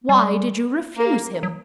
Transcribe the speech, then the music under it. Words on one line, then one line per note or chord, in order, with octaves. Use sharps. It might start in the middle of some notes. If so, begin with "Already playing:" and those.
"Why did you refuse him?"
G3
A#3
F#3